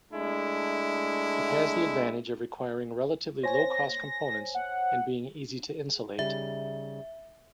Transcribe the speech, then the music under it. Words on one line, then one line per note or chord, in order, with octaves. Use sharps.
It has the advantage of requiring relatively low-cost components and being easy to insulate.
G#3 A3 D4 E4
C5 C#5 G#5 A#6
F#5
C#3 G3 D#4 E5